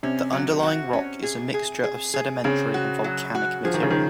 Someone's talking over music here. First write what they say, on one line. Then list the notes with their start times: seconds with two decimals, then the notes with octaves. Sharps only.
The underlying rock is a mixture of sedimentary and volcanic material.
0.03 C3 C#4
0.33 F#3
0.63 F#4
0.93 C#4
1.23 G#4
1.54 G#4
1.84 G#4
2.14 G#4
2.44 C#3 C4
2.74 F#4
3.04 F#3
3.35 F#4
3.65 F3 G#4
3.74 D#3
3.83 C#3
3.90 D#3